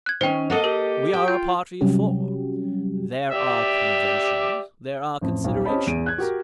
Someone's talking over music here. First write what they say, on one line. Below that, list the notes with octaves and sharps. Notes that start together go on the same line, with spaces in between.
We are a party of four. There are conventions, there are considerations....
F#6 G#6
D#3 C#4 C5 G5
A#3 A4 D#5 F#5
G4 A#4
G5
F4 G6
C3 F#3 G3 C#4 F#4 G4
G4 D5 E5
A1 F2
D#1 B1
C4 C#4 G4 D#5 A5 B5
E2 D7 D#7
F#6 G#6
F#4 G4 A#4